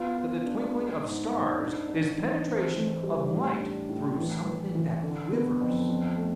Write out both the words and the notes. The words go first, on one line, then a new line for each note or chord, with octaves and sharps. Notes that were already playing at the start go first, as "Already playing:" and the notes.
That the twinkling of stars is penetration of light through something that quivers?
Already playing: B3 F4
F4
D4
G#3
G#2
G#2
D4
D4
E3
C4
E3
G3
A2
D4
A2
E3
E3
E3
D3
B3
F2
F2
A3